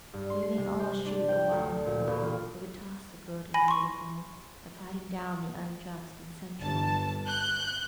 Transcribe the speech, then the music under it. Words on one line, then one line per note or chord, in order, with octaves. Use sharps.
We may all shoot a wild bull that would toss the good and beautiful, by fighting down the unjust and sensual.
G2
C6
C7
C3
C5
D4
G5
D2
A#2
E1
F4
G#5 B5 A#6
C6 C#6
G1 A5
F#6 G6